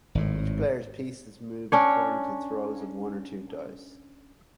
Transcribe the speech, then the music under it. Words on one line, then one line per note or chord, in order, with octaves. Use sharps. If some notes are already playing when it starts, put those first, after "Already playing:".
Each player's piece is moved according to throws of one or two dice.
G#1 A2
C#4 D4 C#5